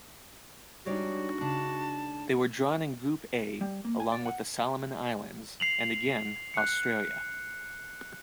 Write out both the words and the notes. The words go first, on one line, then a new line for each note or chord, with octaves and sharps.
They were drawn in Group A along with the Solomon Islands, and again, Australia.
G3 G#3 D4 D#4 F#4 C#5 D5
C#3 D4 A5
G3
A#3
G#5
D5
F#5
C7 F7 F#7
F#6 C#7